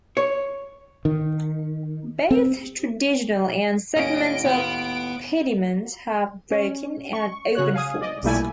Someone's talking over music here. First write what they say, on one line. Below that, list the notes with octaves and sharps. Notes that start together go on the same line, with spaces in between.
Both traditional and segmental pediments have "broken" and "open" forms.
C#5
D#3
C4
D#2 A2 A#3 C#4 D#5 D7
B3 F4
C#4
C#6
C#3 F#4 C#5 F#6
F5 G#5 D#6
D5 D#5
B1 A#2 G3 A3 E4 G#5